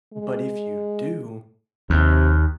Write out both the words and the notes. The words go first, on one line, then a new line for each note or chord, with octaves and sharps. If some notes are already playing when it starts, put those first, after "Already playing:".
but if you do,
G#3
D#2 C3